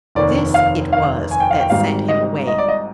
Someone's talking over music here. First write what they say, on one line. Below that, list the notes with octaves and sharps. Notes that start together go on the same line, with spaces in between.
This it was that "sent him away."
F1 D#2 D#3 D5
F5
F5
G#5
G5
F5
G5
G#1 G#2 G3 F5
D#5
D#5
D5
D#5